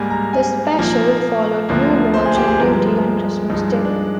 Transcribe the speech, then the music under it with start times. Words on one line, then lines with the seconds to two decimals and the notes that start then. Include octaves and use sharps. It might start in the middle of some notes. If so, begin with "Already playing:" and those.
The special followed Blue Watch on duty on Christmas Day.
Already playing: G#2 G3 A#3 G#5
0.10 A#5
0.33 G#5
0.78 A#2 F3 A#3
1.69 D2 D3 F3 A#3
2.14 C5
2.26 G#4
2.36 G4
2.48 G#4
2.60 G2 F3 G#3 A#4
3.50 G2 F3 G#3 D#4
3.73 D4
3.85 D4